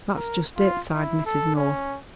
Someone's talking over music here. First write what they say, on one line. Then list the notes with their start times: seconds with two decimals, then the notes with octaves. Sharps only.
"That's just it," sighed Mrs. North.
0.16 A#4
0.57 F4
0.94 E4
1.26 A4
1.56 C#4